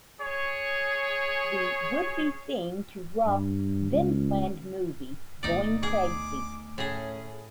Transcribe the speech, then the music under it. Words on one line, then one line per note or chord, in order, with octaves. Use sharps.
The would-be theme to Roth's then-planned movie, Goin' Crazy!
G#4 C#5
G2
C#2
D2 B2 D#4 D5
G#4 D6
A2 C#4 G#4